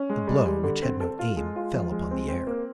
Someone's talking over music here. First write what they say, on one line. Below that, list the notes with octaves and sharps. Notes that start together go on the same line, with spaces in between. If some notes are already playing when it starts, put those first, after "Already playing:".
The blow, which had no aim, fell upon the air.
Already playing: C#4
G#3
G3
G3
D3
C4
A4
F4
G#3
F4
F3
G#3
C4
C4
A#3